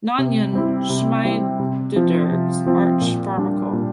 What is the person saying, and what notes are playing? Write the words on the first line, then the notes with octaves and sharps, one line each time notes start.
Naunyn-Schmiedederg's Arch Pharmacol.
C3
G3 C4 E4
C3
G3 C4 E4
C3
F3 C4 F4
C3
F3 C4 F4
A#2
G3 D4
A#2